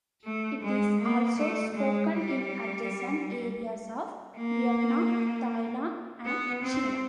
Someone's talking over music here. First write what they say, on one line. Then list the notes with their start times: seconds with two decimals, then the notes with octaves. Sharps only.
It is also spoken in adjacent areas of Vietnam, Thailand and China.
0.25 A3
0.62 G#3
1.00 A#3
1.37 A3
1.75 G#3
2.12 G3
4.37 A#3
6.25 B3
6.63 C4